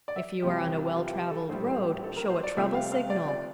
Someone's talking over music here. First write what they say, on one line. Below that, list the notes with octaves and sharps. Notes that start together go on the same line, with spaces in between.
If you are on a well-traveled road, show a trouble signal.
D5
E5
F2 C3 G3 G4
G4
G4
F4
G4
A4
A#1 A2 G3 C5
C5
A4
A#4
C5
D5
C2 C3 F3 A3 C4 E5
F5
F5
D5
D5